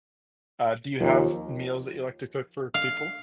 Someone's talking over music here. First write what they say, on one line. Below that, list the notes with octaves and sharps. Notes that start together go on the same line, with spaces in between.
uh, do you have meals that you like to cook for people?
D#2 F3
F5